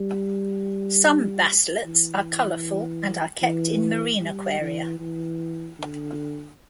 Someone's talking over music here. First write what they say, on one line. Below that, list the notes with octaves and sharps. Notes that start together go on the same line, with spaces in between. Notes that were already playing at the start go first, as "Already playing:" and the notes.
Some basslets are colorful and are kept in marine aquaria.
Already playing: G3
E3
E3
G3
E3
E3
D3